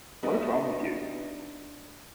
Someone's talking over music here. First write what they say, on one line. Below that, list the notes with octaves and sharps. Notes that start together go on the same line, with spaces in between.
What is wrong with you?
G3 B3 D4 D#4 E5